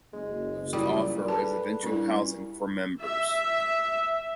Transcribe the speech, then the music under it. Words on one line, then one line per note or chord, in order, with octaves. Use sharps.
Most offer residential housing for members.
F#1 G#3
A#2 G3 E4 F4 G4
G#4 A4 B4 A5
G2 A#2 C#4 E4
E5